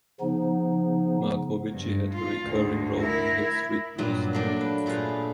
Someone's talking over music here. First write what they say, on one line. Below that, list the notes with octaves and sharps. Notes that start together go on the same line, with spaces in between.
Marcovicci had a recurring role on "Hill Street Blues".
C#3 F3 B3 D#4
G2
F4
D2 A2
E4 A#4
G2 A#2 F#3
A3 A#3 D4
B4
A#2 A3 G#4 B4 F5